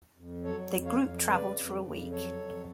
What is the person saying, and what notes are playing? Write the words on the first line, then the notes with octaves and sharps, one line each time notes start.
They group traveled for a week.
F2
F#3 A4 C#5
F2
C#5 F5
F2
C#3 B4 D5
F2
F2
F#3 A4 C#5
F2